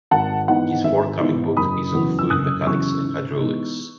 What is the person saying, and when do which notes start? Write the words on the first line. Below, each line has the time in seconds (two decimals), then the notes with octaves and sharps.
His forthcoming book is on Fluid Mechanics and Hydraulics.
0.11 G#1 F#5 A5
0.48 G#2 E3 B3 D#4 F#5
0.84 G#1 E5
1.20 G#2 E3 B3 D#4
1.57 F#1 B5 D#6
1.94 E2 C#3 F#3
2.19 E6
2.30 F#1 D#6 F#6
2.67 E2 C#3 F#3 C#6 E6
3.03 G#2
3.39 E3 G#3 B3 D#4